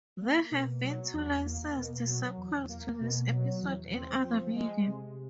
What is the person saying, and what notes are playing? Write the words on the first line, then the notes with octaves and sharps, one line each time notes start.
There have been two licensed sequels to this episode in other media.
A#3
B2
F#3
E2
A#3
B2
F#3
E2
A#3
B2
F#3
E2
C4
F3
G#3
C3